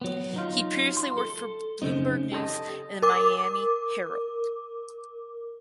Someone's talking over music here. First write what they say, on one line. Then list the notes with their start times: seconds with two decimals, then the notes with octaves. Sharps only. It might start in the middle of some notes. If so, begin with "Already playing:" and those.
He previously worked for Bloomberg News and "The Miami Herald".
0.01 F#3 B3
0.34 F#3 D#4 F4
0.97 C6
1.18 A4
1.82 F#2 C#3 A3 C4 D#4
2.32 G4 A4 C5 D#5
3.02 A#4 D6